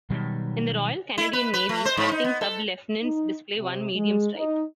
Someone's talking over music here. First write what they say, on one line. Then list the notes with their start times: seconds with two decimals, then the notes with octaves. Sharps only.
In the Royal Canadian Navy, acting sub-lieutenants display one medium stripe.
0.10 B2 D#3 F#3 G3
1.18 E4
1.33 B4
1.54 B4
1.69 A3
1.85 C5
1.97 G#2
2.12 D#4
2.24 B3
2.41 A4
3.03 D#4
3.57 C3
3.95 G#3
4.36 D#4